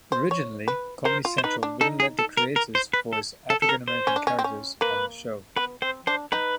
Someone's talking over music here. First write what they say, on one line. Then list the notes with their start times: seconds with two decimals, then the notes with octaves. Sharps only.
Originally Comedy Central wouldn't let the creators voice African-American characters on the show.
0.12 C5
0.31 C#5
0.68 B4
1.05 A#4 C5
1.25 F4
1.38 C5
1.44 D#4 B4
1.63 D4
1.81 D#4 A4
2.00 G#4
2.19 A4
2.37 A#4
2.56 A#4
2.75 C5
2.93 B4
3.13 A4
3.50 A4
3.62 A4
3.69 A#4
3.88 C5
4.07 C#4
4.16 D4
4.27 C#4
4.39 C4
4.44 C#4
4.81 A#3 B4
5.56 B3 B4
5.82 C4 C5
6.07 D4 C5
6.32 D#4 B4